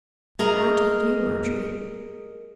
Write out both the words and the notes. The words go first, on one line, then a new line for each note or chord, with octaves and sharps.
'How do you do, Margery?
G#4 A#4 D#5 A#5